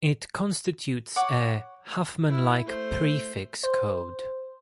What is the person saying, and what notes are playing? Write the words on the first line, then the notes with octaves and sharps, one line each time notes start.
It constitutes a Huffman-like prefix code.
C#5 F#5 D6
E4
A3 C5
C5